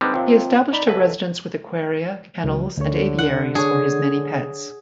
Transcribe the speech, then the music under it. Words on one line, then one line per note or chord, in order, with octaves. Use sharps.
He established a residence with aquaria, kennels, and aviaries for his many pets.
D3 G3 G#3 C4 D#4 B4
D#2 C3 C4 F4
D#4 D5 B5
C#2 A4 B4
C#2 F#3
D2 D3 C#5
F#5
D4 G#4 C#5